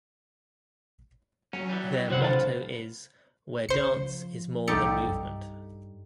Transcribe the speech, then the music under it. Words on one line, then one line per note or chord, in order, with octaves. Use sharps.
Their motto is "Where Dance Is More Than Movement".
F#3 C#4
E3 G3
A1 F2 C3 F#3 C5 F#5
D2 F4 A5
C#3 C5 C#7
F3
C2 D#4 G4 A4 C#7
G2